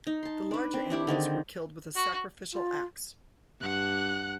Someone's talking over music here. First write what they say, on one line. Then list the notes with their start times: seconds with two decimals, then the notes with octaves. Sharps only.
The larger animals were killed with a sacrificial axe.
0.07 D#4
0.23 A5 C6
0.51 D4 B4
0.74 C4
0.90 D4 E4 G4
1.07 D3 D#3 C4 G#4
1.95 F#4
2.52 F4
3.61 G2 F#5 F#6